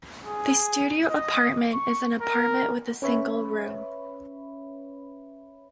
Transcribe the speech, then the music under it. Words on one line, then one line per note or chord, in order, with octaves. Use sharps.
The studio apartment is an apartment with a single room.
G#4
D#5
C#6
A#4
C#4 B4 C#5 E5 B5